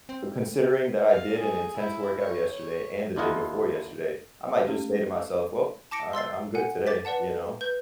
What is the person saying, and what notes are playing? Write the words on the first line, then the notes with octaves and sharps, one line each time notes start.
But considering that I did an intense workout yesterday and the day before yesterday, I might just say to myself, "Well, I I'm good today, you know,
C4
F5
G#4
E4
C#5
C#5
D#2 D4 E4 F4 D#5 F#5
A3 C#4 G4
A5 D6 A#6 C#7 D7
C6 E6 A6 C7
F#5 G#5
D6 A6 B6
B4 D5 F#5 A5
B4 G6